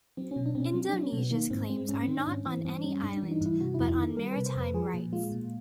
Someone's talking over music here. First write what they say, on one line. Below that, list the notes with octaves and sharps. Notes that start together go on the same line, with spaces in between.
Indonesia's claims are not on any island, but on maritime rights.
F#3 C4
C#4
B2
D4
B2 C4
C#4
F#3 C4
F#3 D4
C#4
B2 B3
D#3 A#3
G#2 C4
G#3 C4
G#2 C#4
D#3 C4
D4
G#2 C#4
E3 C4
G2 C4
G3 C#4
G2 D4
D4
E3
D#4
G2 E4
C3 F#4
F2 E4
E4
D#3 A4
G3 A#4
C3 B4
C5
F2 B4
F3 G#4
A#2
G#3 F4
A#2